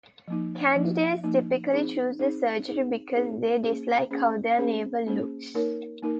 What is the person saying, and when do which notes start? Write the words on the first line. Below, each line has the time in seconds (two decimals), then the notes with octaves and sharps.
Candidates typically choose the surgery because they dislike how their navel looks.
0.28 F3 A#3 D#4
0.76 F3 A#3 D#4
1.24 F3 A#3 D#4
1.72 C4 D#4 G#4 C5
2.19 C4 D#4 G#4 C5
2.67 C4 D#4 G#4 C5
3.15 C4 D#4 G#4 C5
3.63 A#3 C#4 G#4 C5
4.11 A#3 C#4 G#4 C5
4.58 A#3 C#4 G#4 C5
5.07 A#3 C#4 G#4 C5
5.55 A#3 D#4 A#4 C#5
6.02 A#3 D#4 A#4